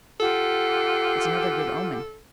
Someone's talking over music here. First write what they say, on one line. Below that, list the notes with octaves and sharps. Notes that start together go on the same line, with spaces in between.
It's another good omen.
F4 G4 A4 F#5